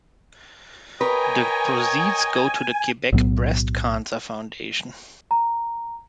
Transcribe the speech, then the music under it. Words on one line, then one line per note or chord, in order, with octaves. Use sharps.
The proceeds go to the Quebec Breast Cancer Foundation.
A#4 B4 C#5 D#5 G5 G#5
B1 A2 F#3 B3
A#5